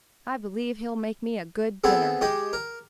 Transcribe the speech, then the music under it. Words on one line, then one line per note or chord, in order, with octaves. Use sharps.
I believe he'll make me a good dinner.'
B3 C4 G#4 A4
G#3 G4 D#5
A#4